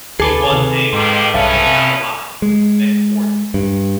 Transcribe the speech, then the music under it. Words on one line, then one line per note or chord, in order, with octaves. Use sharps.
He was hanged and cut down alive, then quartered.
D2 G#4 A4 B4 G#5 A5 D6
C3 D#3
F2 G#2 B2 D#3 C6 D6
B1 G2 E3 B3 C#4 E5 F5 A5
C3
G#3
G2